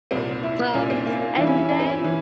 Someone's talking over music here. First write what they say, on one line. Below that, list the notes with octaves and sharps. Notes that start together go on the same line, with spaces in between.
Um, and then
C2 A#2 C4
E4
C2 A#2 C#4
C4
A#3
A#3
G2 E3 E4
C#4
E4
C#4
C4
C#4
E3